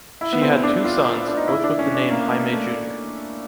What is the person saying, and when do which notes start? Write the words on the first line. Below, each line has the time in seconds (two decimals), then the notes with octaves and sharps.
She had two sons, both with the name Jaime Jr.
0.21 E4
0.33 B3
0.42 C4
0.63 D4
0.84 F4
1.28 D4
1.37 D#4
1.48 E4
1.64 D4
1.79 C#4
1.95 D4
2.11 A#3
2.31 A#3
2.53 A3